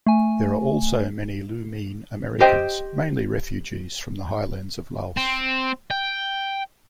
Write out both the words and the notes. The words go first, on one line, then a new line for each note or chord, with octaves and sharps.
There are also many Iu Mien Americans, mainly refugees from the highlands of Laos.
A3 G#5
G4 C5 D#5 G5
C4
G5